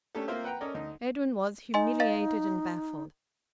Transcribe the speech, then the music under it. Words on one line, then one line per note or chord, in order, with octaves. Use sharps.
Edwin was humiliated and baffled.
A3 C#4 D4 G4 A4
A#3 C4 F4 A#4 C5 E5
B4 F#5 G5 A#5
C#4 A4 A#4 D5 D#5
D2 D#4
D#4 D#5 G#5 C6
D#5 F5 A6